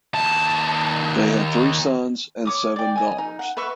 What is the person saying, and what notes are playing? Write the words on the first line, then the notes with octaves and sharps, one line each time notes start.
They had three sons and seven daughters.
D#2 A5
C#5 D6 D#6
D5 G5
D#5 G#5
D#4
F#5
B4 D#5 E5 C#6